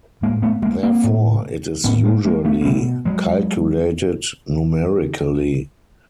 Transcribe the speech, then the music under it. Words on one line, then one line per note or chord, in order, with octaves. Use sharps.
Therefore, it is usually calculated numerically.
A2 G#3 A#3
A3 B3
G#3 A#3
A#3 C4
A2
A2 B3 C#4
G#3 A#3
G#3 A#3
A3 B3
A#3
B2 G3 A3
F#3 G#3